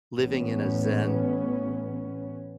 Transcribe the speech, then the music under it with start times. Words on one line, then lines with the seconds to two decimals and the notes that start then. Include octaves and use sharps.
living in a Zen
0.18 A1 B3 C#4